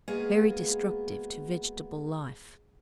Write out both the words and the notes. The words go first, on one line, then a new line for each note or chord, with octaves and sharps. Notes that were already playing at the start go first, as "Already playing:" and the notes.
Very destructive to vegetable life.
G#3 A#3 B3 F#4 G#4 F5